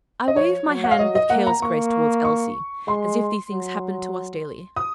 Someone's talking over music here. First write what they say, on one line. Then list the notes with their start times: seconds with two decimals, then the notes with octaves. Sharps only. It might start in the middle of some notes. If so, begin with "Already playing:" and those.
I waved my hand with careless grace towards Elsie--as if these things happened to us daily.
0.28 D#5
0.36 F3 C#5
0.67 F#3
0.84 F#5
0.91 F5
0.99 F#3 D#5
1.15 D#5
1.30 A#3 F#5
1.47 A#5
1.62 A#3 C#6
2.25 C#6
2.88 G#3 C6
3.51 F#3
4.76 D#6